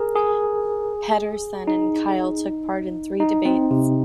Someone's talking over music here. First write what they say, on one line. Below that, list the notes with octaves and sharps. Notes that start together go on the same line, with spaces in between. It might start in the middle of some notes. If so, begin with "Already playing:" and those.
Pederson and Kyl took part in three debates.
Already playing: G#4 A#4
G#4
D#4
D#4
C4
C3